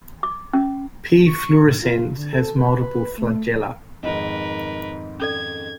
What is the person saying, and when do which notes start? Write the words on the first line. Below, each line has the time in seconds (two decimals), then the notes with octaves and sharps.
"P. fluorescens" has multiple flagella.
0.23 D6
0.53 C#4
1.26 C#6
1.64 A2
1.82 F4
2.17 D3
2.33 A4
2.57 B4
2.80 B4
3.18 A3
4.03 F2 G#2 D#3 A#4 B4 D#5
5.20 C#4 A4 D5 G#6